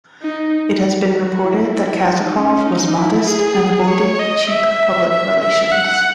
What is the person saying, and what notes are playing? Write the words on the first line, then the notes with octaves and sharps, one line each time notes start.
It has been reported that Kazakov was modest and avoided cheap public relations.
D#4
F#4
E4
E4
D#4
C#4
D#4
E4
G#4
C#5
D#5
E5
E5
E5
F#5